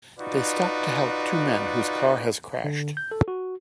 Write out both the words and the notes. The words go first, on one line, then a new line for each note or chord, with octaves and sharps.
They stop to help two men whose car has crashed.
D#4 F4 F#4 B4 D5
D3
G6
A4
F#4